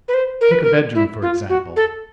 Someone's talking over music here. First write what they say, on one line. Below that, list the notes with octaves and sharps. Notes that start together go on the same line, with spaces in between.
Take a bedroom, for example.
B4
C5
A#4
B4
A#4
E4
F4
F#4
A4